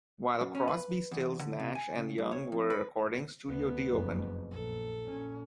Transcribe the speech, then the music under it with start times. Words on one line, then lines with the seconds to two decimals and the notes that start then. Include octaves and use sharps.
While Crosby Stills Nash and Young were recording, studio D opened.
0.41 F#2
0.55 C#4
0.68 B4
1.11 E2
1.41 D3
1.60 C3
1.75 G#5
1.95 C#3
2.18 G2
2.32 C#5
2.52 F2
2.70 B4
3.48 D2 B3
3.89 F#1 F2
4.51 A#1 A4
5.06 A#2 C#4